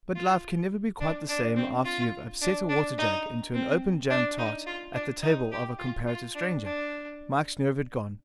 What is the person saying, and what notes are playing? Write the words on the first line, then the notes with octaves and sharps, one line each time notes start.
But life can never be quite the same after you have upset a water-jug into an open jam-tart at the table of a comparative stranger. Mike's nerve had gone.
F4
D4
D4
C4
F4
D4
D4
D#4
C4
D4
D#4
F4
D4
D#4
G4
F4
F4
D4
D4